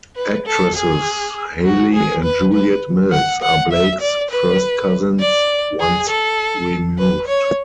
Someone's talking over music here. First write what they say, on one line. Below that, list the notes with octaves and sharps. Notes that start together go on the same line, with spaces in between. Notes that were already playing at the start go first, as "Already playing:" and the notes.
Actresses Hayley and Juliet Mills are Blake's first cousins once-removed.
B4
A4
G#4
F#4
G#4
B4
B4
F#5
F#5
E5
D5
B4
D5
G#4
A4
B4
C#5